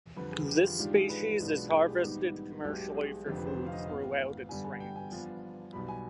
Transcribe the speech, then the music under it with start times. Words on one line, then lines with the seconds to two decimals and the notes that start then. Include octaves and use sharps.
This species is harvested commercially for food throughout its range.
0.17 F2 D3 G3 B4
0.32 G#4
0.48 G4
0.64 F4
0.79 G#2 D#3 G#3 D4 F4 G4
0.94 G#4
1.09 B4
1.40 B1 B2 G#3 D4 F4
1.71 G#4
1.87 G4
2.02 G#1 G#2 G3 B3 D#4 G4
2.64 B1 B2 G#3 G4
2.80 G4
2.95 G#4
3.25 F1 F2 D3 F3 C4 G4
3.37 B4
3.47 C5
3.66 F5
3.72 D#5
3.87 G#1 G#2 F3 B3 F5
4.49 G2 D3 G3 B3 G#5
4.64 G#5
4.80 G5
4.96 G#5
5.11 G2 F3 B3 D4 F4
5.72 B1 B2 G3 B5
5.88 G#5